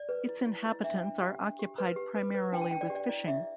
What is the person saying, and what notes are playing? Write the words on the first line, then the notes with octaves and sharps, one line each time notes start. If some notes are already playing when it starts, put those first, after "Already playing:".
Its inhabitants are occupied primarily with fishing.
Already playing: D5
B4
E4
E4
E4
D4 E5
D4
G4
D4
G4
B4
G4
B4
B4
D4 G5
A5
D4 G5
D5
G4
D5
E4 D5
E4 E5